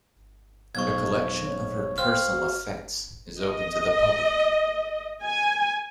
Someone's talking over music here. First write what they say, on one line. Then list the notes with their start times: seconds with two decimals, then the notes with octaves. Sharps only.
A collection of her personal effects is open to the public.
0.75 B1 F2 G#3 C#6 G#6
1.45 C#5
1.98 F4 C5 G5 F6
2.32 F#4
3.42 D#5
5.23 G#5